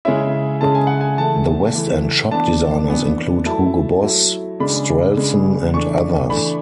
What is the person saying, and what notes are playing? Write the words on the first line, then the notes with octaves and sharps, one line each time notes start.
The West End shop designers include Hugo Boss, Strellson, and others.
C#3 G#3 C#4 E4 E5
C#3 G#3 C#4 E4 A5
G#5
F#5
G#5
E3 A3 E4 A5
E3 A3 E4
E3 B3 D4 A5
E3 B3 D4
F#3 A3 E4 A5
F#3 A3 E4
C#3 G#3 D4 B5
C#3 G#3 D4
E3 A3 D4 C#6
E3 A3 D4 B5